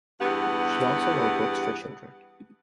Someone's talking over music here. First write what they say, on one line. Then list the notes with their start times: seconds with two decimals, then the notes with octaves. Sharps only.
She also wrote books for children.
0.21 E2 G2 B3 G4 F#5